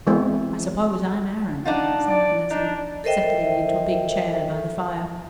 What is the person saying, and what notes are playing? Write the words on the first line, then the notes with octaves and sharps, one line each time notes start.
"I suppose I'm Aaron," sighed Leslie, settling into a big chair by the fire.
E3 G#3 B3 C4
D4 D#4 F4 F#5
D5
D4 D#4
A4 A#4 C5 D#5 E5 G5